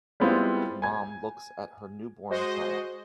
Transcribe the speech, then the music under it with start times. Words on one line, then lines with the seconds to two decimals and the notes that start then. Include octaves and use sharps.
A mom looks at her newborn child.
0.20 G3 G#3 B3 C4 E4 F4
0.82 G#5 G#6
2.30 G#3 F#4 C5 D#5